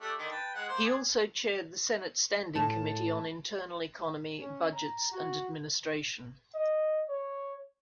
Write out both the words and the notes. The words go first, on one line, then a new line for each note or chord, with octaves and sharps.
He also chaired the Senate Standing Committee on Internal Economy, Budgets and Administration.
A3 D4 G4
D3 D#3
B4 G5 A5
G#3 F#5
A#3 C5
D4 G#4
A2 A5
C#4
A#5
F#4
D#5
C#5